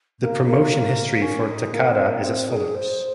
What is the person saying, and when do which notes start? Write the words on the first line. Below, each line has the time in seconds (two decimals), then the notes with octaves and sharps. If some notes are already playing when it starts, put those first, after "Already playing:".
The promotion history for Takada is as follows.
0.19 A#3
0.45 A#3
1.21 C#4
1.47 D#4
1.73 A#3
1.90 C4
2.06 A#3
2.23 C4
2.49 G#4
2.74 C5